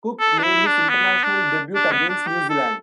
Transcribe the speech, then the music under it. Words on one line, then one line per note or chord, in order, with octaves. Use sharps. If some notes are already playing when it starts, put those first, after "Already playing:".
Cook made his international debut against New Zealand.
A4
D4
E4
D4
B3
D4
D4
B3
D4
G4
A4